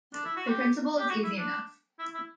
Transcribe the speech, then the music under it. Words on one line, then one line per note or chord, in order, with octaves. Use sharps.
The principle is easy enough.
D4
E4
F#4
G4
G4
F#4
E4
D4
E4
E4